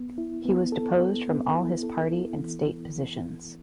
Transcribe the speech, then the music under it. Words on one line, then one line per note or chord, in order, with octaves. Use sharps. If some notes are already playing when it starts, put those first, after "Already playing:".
He was deposed from all his party and state positions.
Already playing: B3
E4
B3
A4
B3
B3
E4
A4
E4
E3